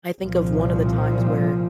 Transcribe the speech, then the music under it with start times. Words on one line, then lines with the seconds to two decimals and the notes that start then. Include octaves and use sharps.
I think of one of the times where
0.21 C2 A#2 F3